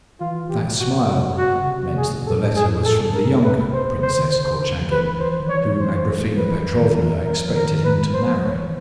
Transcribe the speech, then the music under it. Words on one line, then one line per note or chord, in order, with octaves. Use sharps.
That smile meant that the letter was from the younger Princess Korchagin, whom Agraphena Petrovna expected him to marry.
E3 F4
E3 G4
B2
B2 F#4
C#3 F#4
F#4
C3
B2 G#4
A#2 A4
A2
G#2 G#4
A#2
A2 A4
C3
C3 A#4
C#3
C3
B4
C5
C#3 C5
D#3
D3 C5
C#3
D3
F3
E3 B4
C5
D#3
E3 C#5
C5
E3
F3
E3 B4
E3
D#3
E3 A#4
D#3
E3
F3 A#4
D3
D#3 A#4
B4
F3 C5
E3
F3
E3 C#5
E3